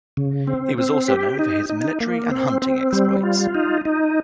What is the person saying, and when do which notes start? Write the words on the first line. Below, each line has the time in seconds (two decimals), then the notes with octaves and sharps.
He was also known for his military and hunting exploits.
0.17 C#3
0.47 C4
0.78 C4
1.08 G4
1.39 D#4
1.69 D#4
2.00 A#3
2.31 C4
2.62 C4
2.92 G3
3.23 F4
3.55 D#4
3.85 D#4